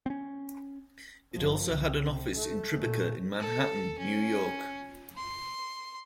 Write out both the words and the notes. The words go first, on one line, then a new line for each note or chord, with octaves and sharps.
It also had an office in Tribeca in Manhattan, New York.
C4 C#4
G1 F3
C2
C3
A3
A#2 A3
A4
C#4
C6